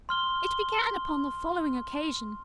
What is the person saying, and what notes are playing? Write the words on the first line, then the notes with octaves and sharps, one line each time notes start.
It began upon the following occasion.
C6 F6 G7